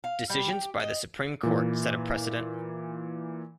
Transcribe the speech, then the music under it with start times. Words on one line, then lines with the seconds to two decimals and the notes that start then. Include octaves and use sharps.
Decisions by the supreme court set a precedent.
0.04 F5
0.30 G3
0.48 G4
0.80 D#5
1.43 A#2 E3